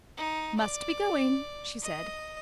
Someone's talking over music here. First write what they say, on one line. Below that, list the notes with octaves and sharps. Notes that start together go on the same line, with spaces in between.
"Must be going," she said.
D#4
D5
D#5